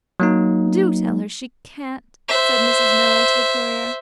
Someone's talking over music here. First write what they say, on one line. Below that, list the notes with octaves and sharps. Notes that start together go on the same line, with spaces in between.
"Do tell her she can't," said Mrs. Miller to the courier.
F#3 A#3 D#4
C5 E5